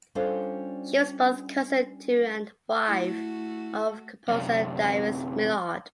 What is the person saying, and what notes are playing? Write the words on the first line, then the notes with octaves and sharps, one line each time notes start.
She was both cousin to and wife of composer Darius Milhaud.
G3 C#4 D4 F4 A4 C5
A3 E4 F#4
F#2 C3